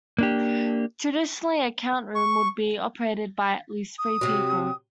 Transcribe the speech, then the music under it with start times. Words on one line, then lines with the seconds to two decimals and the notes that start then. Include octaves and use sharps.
Traditionally, a count room would be operated by at least three people.
0.19 A#3 D4 G4
2.15 C#6
3.98 D#6
4.21 C3 F#3